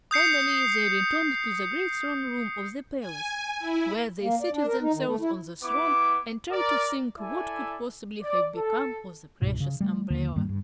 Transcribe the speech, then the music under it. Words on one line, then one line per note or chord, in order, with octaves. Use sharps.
Finally they returned to the great throne room of the palace, where they seated themselves on the throne and tried to think what could possibly have become of the precious umbrella.
D#6 G6 C7 C#7
G#5
E4
A#3
D5
D4
A#4
D#4
D#3
A3
E4
B3 E4 D6
A#4 D5
E4 A4 D5 E5 G#5
D5
A4
C#2 G#2 B2
C#3
G3 A3
D#2 D3 D#3 A#3
G#2 D#3 G3 A#3
G2